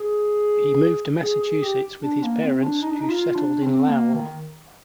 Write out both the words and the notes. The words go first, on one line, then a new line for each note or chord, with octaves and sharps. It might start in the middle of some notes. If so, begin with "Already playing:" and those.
He moved to Massachusetts with his parents, who settled in Lowell.
Already playing: G#4
G#4
G#4
G4
D4
A#3
C4
D4
D#4
D4
D#4
F4
D4
C4
A#3
D#3